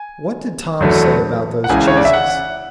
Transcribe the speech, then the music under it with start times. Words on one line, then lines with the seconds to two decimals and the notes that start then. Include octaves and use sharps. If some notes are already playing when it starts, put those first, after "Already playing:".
"What did Tom say about those cheeses?"
Already playing: G#5
0.80 E2 D3 F#3 A3
1.64 F#5
1.69 C#2 C#3 E3 G#5
1.87 C#5
1.97 D5
2.05 E5
2.13 F#5